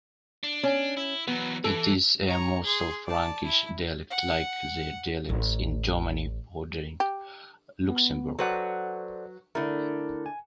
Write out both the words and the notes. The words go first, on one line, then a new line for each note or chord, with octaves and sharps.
It is a Mosel-Frankish dialect like the dialects in Germany bordering Luxembourg.
D4
C#4
E4
E3 F#3 B3
E3 A4
C#5 A#5
G#4 C6
D5 A5
E4
F#5
A1
G4
B3
F#3 A4 B4 C5 D5 F#5
D3 A3 E4 A#4
G#5